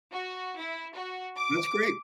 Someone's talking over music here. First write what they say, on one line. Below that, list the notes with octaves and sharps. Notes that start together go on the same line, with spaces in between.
That's great!
F#4
E4
F#4
D6